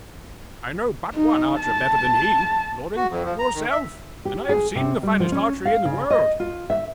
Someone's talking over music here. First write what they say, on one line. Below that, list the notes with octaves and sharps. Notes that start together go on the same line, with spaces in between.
"I know but one archer better than he, lording--yourself; and I have seen the finest archery in the world."
D#4
A5
F#4
F2
F3
A#5
D#3
E5
G4
G#4
C3
G3
F3
C#4
F5
C#3
D#5
F4
E5